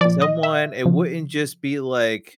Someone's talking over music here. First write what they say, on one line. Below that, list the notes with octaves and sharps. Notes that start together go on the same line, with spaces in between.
Someone it wouldn't just be like,
A#2 F3 D5
D#5
E5
C#3 F3